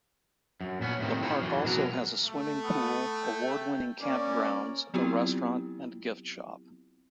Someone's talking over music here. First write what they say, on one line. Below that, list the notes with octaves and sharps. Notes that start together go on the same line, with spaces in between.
The park also has a swimming pool, award-winning campgrounds, a restaurant, and gift shop.
F#2
A#2 B3 C#4
A2 C3 D#3 C4
E4 F4 C5 C#5
F#2 E3
B2 F#3 G#3 F#4 A#4
A3
B3
G5
A#3 C#4 D5
F#3 B3 C4 E4 F4 G4